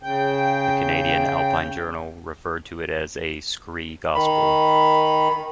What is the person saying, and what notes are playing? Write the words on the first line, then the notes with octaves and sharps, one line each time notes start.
The "Canadian Alpine Journal" referred to it as a "scree gospel".
C#3 G5
D#3 B5